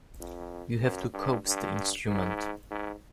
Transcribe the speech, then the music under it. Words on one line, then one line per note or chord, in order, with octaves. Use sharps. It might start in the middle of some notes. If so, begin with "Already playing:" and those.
You have to coax the instrument.
F2
F#2
G2
G2
G#2
G#2